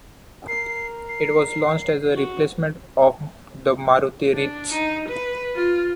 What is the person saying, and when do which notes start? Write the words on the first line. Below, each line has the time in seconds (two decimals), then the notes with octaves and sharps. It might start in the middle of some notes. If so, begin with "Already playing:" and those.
It was launched as a replacement of the Maruti Ritz.
0.48 A#4 C7
1.08 C7
2.16 F#4
4.33 D4
4.71 D#4
5.09 B4
5.56 F4